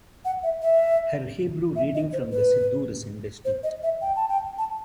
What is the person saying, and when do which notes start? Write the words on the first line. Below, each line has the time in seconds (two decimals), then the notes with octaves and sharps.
Her Hebrew reading from the siddur is indistinct.
0.25 F#5
0.43 E5
0.62 E5
1.76 E5
1.95 D#5
2.13 C5
2.32 B4
3.45 C5
3.63 D#5
3.83 E5
4.02 G5
4.16 A5
4.29 G5
4.58 A5